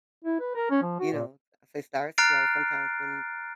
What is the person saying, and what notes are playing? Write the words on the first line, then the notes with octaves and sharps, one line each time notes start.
you know, if they start slow sometimes when
E4
B4
A#4
C#4
F3
F#4
A#2
A#5 F6 F#6 A6 C7 D7